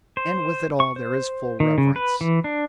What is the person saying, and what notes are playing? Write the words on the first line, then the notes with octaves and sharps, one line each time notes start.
And with it all there is full reverence.
C5
C#6
C5
D#3
C#3
B4
E3
D4